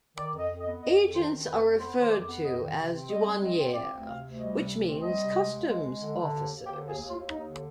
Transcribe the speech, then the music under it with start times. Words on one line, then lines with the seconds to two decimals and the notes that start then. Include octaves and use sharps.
Agents are referred to as "douaniers", which means customs officers.
0.17 D#3 D5
0.33 F2
0.39 D#5
0.49 F2
0.61 D#5
0.66 B3
0.81 F2 D#5
0.98 F2
1.14 D#3 C5
1.31 D#3
1.47 F2 B4
1.62 F2
1.79 B3 C5
1.96 D#3 C5
2.11 F2 D5
2.27 B3
2.44 F2 D#5
2.61 D#3
2.76 C3
2.93 C4
3.09 G3 D#5
3.25 C4
3.41 C4 D#5
3.57 C4
3.73 C4 D5
3.89 D2
4.05 C3 F5
4.22 D2
4.38 G3 D#5
4.55 C3
4.70 D2
4.87 C4
5.03 G3 D#5
5.20 C3
5.36 G#3
5.52 D#2
5.68 G#3
5.84 G#3
6.00 D3
6.17 D3
6.33 D#2
6.48 D#2
6.65 D3 G4
6.82 D#2
6.87 G#4
6.97 D#2
7.09 F4
7.13 D#2
7.29 D#2 D#4
7.46 D3